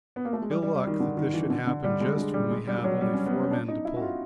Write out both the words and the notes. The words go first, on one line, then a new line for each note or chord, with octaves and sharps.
Ill luck that this should happen just when we have only four men to pull.
B3
A#3
A3
G#3
G3
G3
G3
D#3
D3
D#3
E3
D3
D3
G3
G#3
G#3
G3
G#3
G3
G3
F#3
G3
C#4
B3
C#4
D4
D#4
E4
F#4
F4